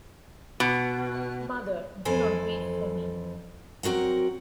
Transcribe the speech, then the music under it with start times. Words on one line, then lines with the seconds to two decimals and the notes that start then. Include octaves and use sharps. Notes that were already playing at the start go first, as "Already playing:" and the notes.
Mother, do not grieve for me.
0.60 B2
2.05 F2 E3 A4 C5 G#5
3.83 F#3 C4 F#4 A#4 F#5